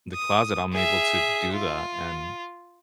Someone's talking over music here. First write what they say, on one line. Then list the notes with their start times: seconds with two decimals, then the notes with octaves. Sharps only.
the closet, I'm able to do that, and
0.14 D#6
0.73 G#4 E5
1.53 F4